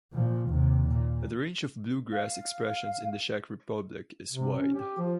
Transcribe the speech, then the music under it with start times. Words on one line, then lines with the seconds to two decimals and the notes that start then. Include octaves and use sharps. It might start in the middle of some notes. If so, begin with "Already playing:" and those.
The range of "bluegrass" expressions in the Czech Republic is wide.
0.13 A#2 F3
0.49 D#2 C3
0.89 A#2
2.13 F5
4.32 C3
4.57 C#4
4.74 G4
4.98 F3